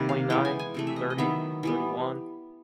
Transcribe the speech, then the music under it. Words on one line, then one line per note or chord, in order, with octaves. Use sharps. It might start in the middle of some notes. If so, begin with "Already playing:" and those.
Twenty nine, thirty, thirty one.
Already playing: C3 D#3 G3 A#3
F5
E3 G#3 B3 G5
G#5
G#5
C3 E3 A3
E5
D#5
D#5
D#3 F#3 B3 E5
E3 G3 B3